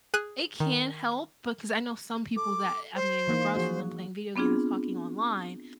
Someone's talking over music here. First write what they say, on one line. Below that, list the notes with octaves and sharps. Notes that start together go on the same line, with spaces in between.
It can help, because I know some people that I mean, regardless of them playing video games and talking online,
G#4 F#6 D#7
D#3
A4 D6
C5
E3 A#3 D#4
F3 F#4 G#4
B3 C4 D4 F4 G#4